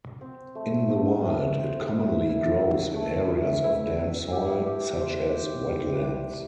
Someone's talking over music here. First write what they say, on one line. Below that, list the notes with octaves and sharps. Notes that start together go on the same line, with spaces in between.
In the wild, it commonly grows in areas of damp soil, such as wetlands.
C4
A3
A3
A3
C5
E5
E4
E4
A3
E5
E4
E4
G4
G4
C5
G4
G3
G3